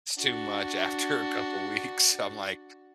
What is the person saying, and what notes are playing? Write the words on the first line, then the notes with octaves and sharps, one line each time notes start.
It's too much after a couple weeks. I'm like,
D4 F#4